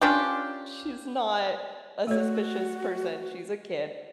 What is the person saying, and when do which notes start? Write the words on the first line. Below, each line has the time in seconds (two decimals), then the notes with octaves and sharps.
she's not a suspicious person. She's a kid."
0.01 C#4 D4 F4 G4
2.07 A3 F#4 A4 C#5